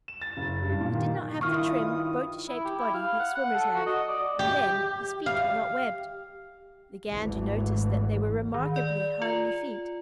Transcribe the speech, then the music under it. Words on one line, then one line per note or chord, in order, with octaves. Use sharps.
He did not have the trim, boat-shaped body that swimmers have, and then, his feet were not webbed. The Gander noticed that they were remarkably homely feet.
E7
A6
F#1
G2
A#2
D#3
G2 D#3 E4 F4 C#6 D#6 F6
E4
G4
E4
F5
F#5
F#5
A4
F#4
D#5
D5
G4
F5
G#1 D2 E3
D#3
D5
F4